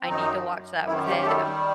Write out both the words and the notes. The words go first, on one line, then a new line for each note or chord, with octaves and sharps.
I need to watch that with him.
C4
F#2 D#3 D#4
F#2
D#3 E3 E4
G3 G4
G4
G3 A3 A4